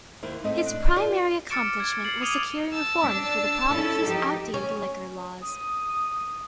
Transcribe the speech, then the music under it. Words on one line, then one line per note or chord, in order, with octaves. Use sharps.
His primary accomplishment was securing reform for the province's outdated liquor laws.
D#2 A#3 E4 C5
A2 C4 D#5
D4
F4 G4 A#4 D5
D6 F6 A6 C#7 D7 E7
G#6
A6 C7 F#7
D6 D#6 D#7 F7 G7
A5 E6
D4
C#4 E4 A4
F3 D#4 G4
C#4
D#6